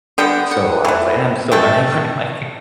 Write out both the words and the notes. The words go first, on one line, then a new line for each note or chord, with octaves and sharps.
so I was like, "I'm still learning, right?" Like
D3 G3 B3 G5
F#5
E3 A3
B2 A3 G5